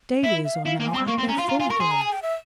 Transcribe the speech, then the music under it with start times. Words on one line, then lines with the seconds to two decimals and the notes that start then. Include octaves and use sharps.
Dahlias are now at their full growth.
0.24 E4 E5
0.45 E5
0.55 F5
0.66 E4 F5
0.80 A#3
0.87 G#5
0.93 C4
0.96 E6
1.07 A#3 C#6
1.17 C4 C6
1.28 C#4 A#5
1.38 F4 C6
1.49 F4 A#5
1.59 F4 G#5
1.70 A#4 C#6
1.80 G#4 C6
1.91 A#5
2.01 G#5
2.12 G5
2.22 E5